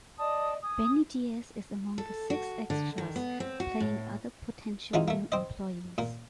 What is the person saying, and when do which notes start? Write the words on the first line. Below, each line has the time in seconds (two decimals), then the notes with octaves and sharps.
Benni Diez is among the six extras playing other potential new employees.
0.18 D5 D#5 A5 D#6
0.62 G#5 D#6
1.98 A4
2.30 F#4
2.70 D3
2.98 D#3
3.16 B3
3.40 C4
3.60 F#4
3.80 A2
4.94 E3 G#3 C#4 D#4 F4 F#4
5.08 A3 A#3
5.32 C4 C5 D#5
5.98 A#2 A#3